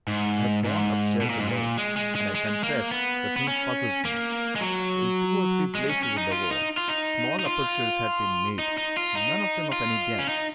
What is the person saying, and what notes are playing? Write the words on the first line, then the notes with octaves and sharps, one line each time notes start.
I had gone up-stairs alone, and I confess the thing puzzled me: in two or three places in the wall small apertures had been made, none of them of any depth.
G#2
G#2
B2
A#2
G#2
A#2
G#3
G#3
G#3
G#3
A#3
B3
B3
C#4
A#3
G#3
F#3
G#3
C#4
C#4
D#4
F4
D#4
F4
D#4
D#4
F4
D#4
D#4
F4
D#4
F4
C#4
D#4